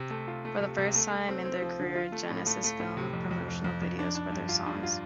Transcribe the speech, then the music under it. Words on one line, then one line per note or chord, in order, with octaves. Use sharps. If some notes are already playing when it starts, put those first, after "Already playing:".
For the first time in their career, Genesis filmed promotional videos for their songs.
Already playing: C3
A3
F4
A3
C3
C3
A3
A3
C4
C4
F3
D3
F4
A3
A2
A3
A3
A2
C3
F2
F2
F2
F2
F2
D4
D4
G2
F4
G2
F4